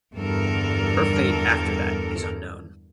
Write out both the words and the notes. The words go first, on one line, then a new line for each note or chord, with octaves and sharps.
Her fate after that is unknown.
E2 G2 D3 A4 A#4